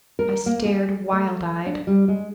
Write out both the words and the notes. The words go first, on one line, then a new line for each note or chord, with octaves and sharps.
I stared, wild-eyed.
A#4
A#3
G#4
A3
D4
G3
G#3